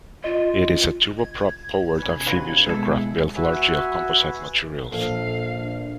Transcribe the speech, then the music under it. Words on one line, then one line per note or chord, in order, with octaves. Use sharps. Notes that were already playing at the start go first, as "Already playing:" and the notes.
It is a turboprop-powered amphibious aircraft built largely of composite materials.
F4 D#5
G#6
G2 C3 C#4 B4
F#3 F4 B4 C#5 F5
B2 G#3 B3 E4 G#4 A4 E5
F#4 B4 E5 G#5
A#1 A4 F5
D4